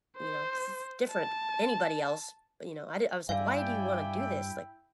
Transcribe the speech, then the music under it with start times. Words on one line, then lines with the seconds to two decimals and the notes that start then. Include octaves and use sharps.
you know, s different, anybody else. But, you know, I di I was like, "Why do you wanna do this?" Like
0.18 C5
1.12 A5
3.29 G2 E4 D5 E5 F5 G5 G#5